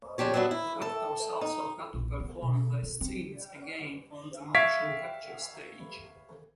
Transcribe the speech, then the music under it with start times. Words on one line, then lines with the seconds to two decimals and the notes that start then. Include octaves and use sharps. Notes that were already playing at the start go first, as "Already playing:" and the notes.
The actors also had to perform their scenes again on the motion capture stage.
0.18 C#3 F3 D4 G4 C#5
0.34 F#3 G3 B3 D4 E5
0.51 E4
0.82 A4
1.41 D#4
1.94 A#1
2.20 B3
2.42 B2
2.83 E4
3.01 C4
4.55 E5 F5 C#6 G#6 B6 D7